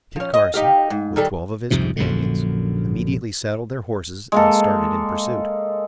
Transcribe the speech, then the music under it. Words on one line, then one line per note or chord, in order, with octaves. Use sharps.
Kit Carson, with twelve of his companions, immediately saddled their horses and started in pursuit.
F3 C#4
D#5
D#4 G4 F5
G#2
D#3 G3 A4
C2 F2 G#2 C3
A#1 F#2 D3
G#3 A#3 A4